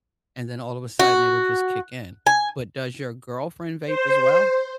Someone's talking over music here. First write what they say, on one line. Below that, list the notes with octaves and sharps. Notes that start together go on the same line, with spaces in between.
and then all of a sudden it'll just kick in. But does your girlfriend vape as well?
F#4
G#5
C5